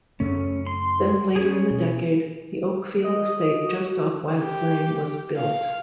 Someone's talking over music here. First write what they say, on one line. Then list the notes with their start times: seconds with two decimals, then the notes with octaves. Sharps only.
Then later in the decade the Oakfield Estate just off Whaggs Lane was built.
0.20 F#2 C#3 A3 C#4
0.67 C6
1.36 C#4 G#4
1.71 B2
3.04 D#5
3.64 F#4
4.37 G4
5.37 F5